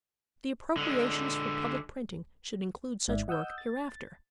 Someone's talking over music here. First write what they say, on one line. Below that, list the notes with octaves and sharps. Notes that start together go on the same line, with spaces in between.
The appropriations for public printing should include such work hereafter.
D3 G#3
G#1 G#2 D5 E5
D#5 F#5 D#6 E6 G6
A6